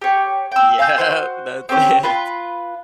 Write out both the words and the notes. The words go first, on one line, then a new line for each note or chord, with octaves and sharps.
Yep, that's it.
G4 C#5
G5 E6
F5 G#5 E6 G6
F#4 C5
C4 C#4 G4 C#5
F4 B4